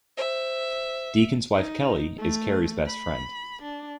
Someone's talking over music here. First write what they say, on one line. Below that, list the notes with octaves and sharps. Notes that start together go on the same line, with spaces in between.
Deacon's wife Kelly is Carrie's best friend.
C5 E5
D#4
A3
B5
D4